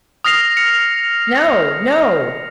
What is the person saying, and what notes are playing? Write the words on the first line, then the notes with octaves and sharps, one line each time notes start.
"No, no!"
D#6 F6 A#6 C7 F7
C#7